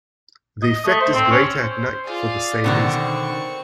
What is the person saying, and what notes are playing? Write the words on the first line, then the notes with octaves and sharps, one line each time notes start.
The effect is greater at night for the same reason.
D#5
A3
C5
C4
C#4
C5
F4 G#4 D5
B2 D3 D#3 C4 C#6